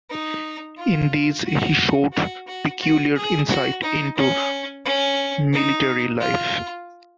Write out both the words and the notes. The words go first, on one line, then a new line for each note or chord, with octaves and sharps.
In these he showed peculiar insight into military life.
D#4
F4
F#4
F#4
F#4
F#4
G#4
F#4
D#4
C#4
C#4
D#4
F4